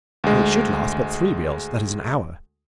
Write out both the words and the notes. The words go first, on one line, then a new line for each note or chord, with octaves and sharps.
And it should last but three reels, that is, an hour.
D2 G#3